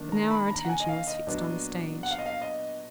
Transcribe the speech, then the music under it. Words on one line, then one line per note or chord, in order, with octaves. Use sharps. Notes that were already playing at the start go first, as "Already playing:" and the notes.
But now our attention was fixed on the stage.
Already playing: D#3 A#3 D4
A#5
B5
A#5
F#5
G#5
D#5
F5
D#5
A#2 F#3 B3 D4
F#5
F5
D#5
F5
D#5